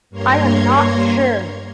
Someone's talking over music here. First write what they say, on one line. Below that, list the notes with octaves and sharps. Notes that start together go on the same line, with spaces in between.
I am not sure.
G2 A#3 C#5 A#5 C6 G#6